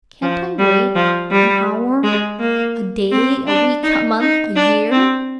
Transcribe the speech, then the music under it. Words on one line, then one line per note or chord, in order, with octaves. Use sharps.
"Can't I wait--an hour, a day, a week, a month, a year?"
F3
G3
F3
G3
G#3
A#3
C4
D4
D#4
D#4
D4
C4